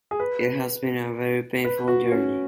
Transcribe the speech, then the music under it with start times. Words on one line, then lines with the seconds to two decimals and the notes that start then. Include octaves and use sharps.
It has been a very painful journey.
0.11 G#4
0.20 B4
1.65 B4
1.88 F#4
2.12 C#4